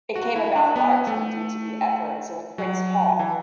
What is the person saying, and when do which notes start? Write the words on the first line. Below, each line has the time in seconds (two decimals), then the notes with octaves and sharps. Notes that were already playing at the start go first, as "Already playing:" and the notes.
It came about largely due to the efforts of Prince Paul.
0.15 F#4
0.36 E4
0.55 D4
0.76 B3
1.07 A3
2.58 F#3
3.19 E3